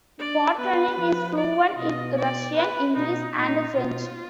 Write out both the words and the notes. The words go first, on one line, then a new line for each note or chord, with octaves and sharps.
Potanin is fluent in Russian, English, and French.
D4 D5
B3 B4
F3
D5
B2 D#5
D5
B4
B2 D#4
A#2 D#4
B2 F4